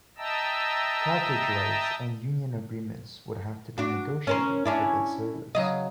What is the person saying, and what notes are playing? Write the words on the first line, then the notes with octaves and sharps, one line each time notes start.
Trackage rights and union agreements would have to be negotiated for this service.
D#5 E5 G5 A5 A#5 E6
D4 F#4
C#4 A#4 C5
C#4 D4 E4
C#3 F#3 D#5